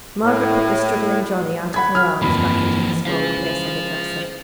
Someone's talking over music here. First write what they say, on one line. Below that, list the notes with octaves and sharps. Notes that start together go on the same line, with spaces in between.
Margaret put the struggling Johnnie out of her arms, back into his former place on the dresser.
A2
F#5 A5 B5 G#6
F#3 F6
G1 F2 E3 A#3 B5
C#3 E3 G#3 C5 F5